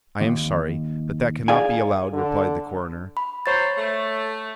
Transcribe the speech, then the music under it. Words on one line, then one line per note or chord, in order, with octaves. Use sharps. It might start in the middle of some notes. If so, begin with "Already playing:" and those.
"I am sorry, but that cannot be allowed," replied the coroner.
D#2
G#4 D5 F5 G5 G#5
D3
B5
F#3 C5 C#5 A6
A3